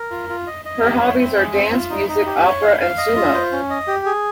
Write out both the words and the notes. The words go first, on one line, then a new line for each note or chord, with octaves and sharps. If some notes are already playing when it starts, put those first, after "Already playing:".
Her hobbies are dance, music, opera, and sumo.
Already playing: A#4
F4
F4
D#5
D#5
G4
C#5
C4
G#3
C4
F4
D#4
D#4
G4
C#5
F5
F5
D#5
F4
C5
C#4
D#5
G4
G#4